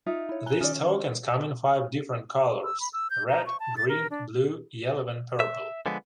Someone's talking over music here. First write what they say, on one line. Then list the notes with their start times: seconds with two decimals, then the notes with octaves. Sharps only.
These tokens come in five different colors: Red, Green, Blue, Yellow and Purple.
0.06 D#4 F4 E5
0.29 E4 C#5
0.46 G#5 A#5 F#6 G7
0.61 D#3 C#4 D#4 D5 F6
0.75 C#5
2.64 E6
2.80 B5
2.93 E6
3.10 G6
3.29 A#5
3.46 C#6
3.60 A5
3.77 A6
3.89 A#4
4.11 D4
5.40 E5
5.86 D3 F3 G#3 B3